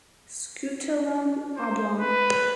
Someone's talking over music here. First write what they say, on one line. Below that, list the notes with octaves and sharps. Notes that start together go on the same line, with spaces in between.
Scutellum oblong.
C5
B4